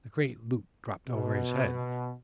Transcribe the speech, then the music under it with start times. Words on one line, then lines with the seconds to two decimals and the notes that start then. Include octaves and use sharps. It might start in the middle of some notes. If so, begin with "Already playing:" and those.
The great loop dropped over his head.
1.09 B2